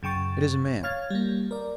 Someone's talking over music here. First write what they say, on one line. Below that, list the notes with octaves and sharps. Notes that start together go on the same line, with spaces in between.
It is a man.
F#2 C#3 G5 C#6 A6
C#5 F5 F6 G#6 A6
G3 A#3
A#4 D5